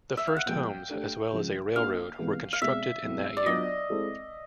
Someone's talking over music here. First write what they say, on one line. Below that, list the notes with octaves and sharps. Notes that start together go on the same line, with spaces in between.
The first homes, as well as a railroad, were constructed in that year.
E5
F5
F#5
A#2 F3 G#3 B3 G5
A3 D4 G4
C#3 F3 G#3
A#3 D4 F#4 A#4 F5
C3 E3 G#3 B3
F5
B2 G#3 C4 E5
B2 F#3 A3 C4 E4
D5
F#3 B3 D4 F4 D#5
G#3 C4 E4 A4 C5